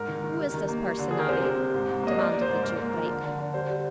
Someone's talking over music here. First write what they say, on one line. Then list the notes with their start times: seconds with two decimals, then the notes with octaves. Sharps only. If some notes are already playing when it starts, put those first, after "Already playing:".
"Who is this person, Abbe?" demanded the duke, lightly.
Already playing: G#2 A#4
0.08 D#3
0.24 D#3
0.39 G3
0.54 D#3
0.68 A#3
0.84 G3
0.99 D3
1.11 G3 G#4
1.20 A#4
1.28 C3 C5
1.43 C3
1.59 C3
1.74 G#2
1.89 G#2
2.03 A#3 D#5
2.18 A#3 D5
2.34 A#3
2.41 C5
2.49 G#2
2.63 G#2 A#4
2.78 A#3
2.94 F3
3.08 D3
3.24 D3
3.39 D3
3.54 G3 C5
3.69 G3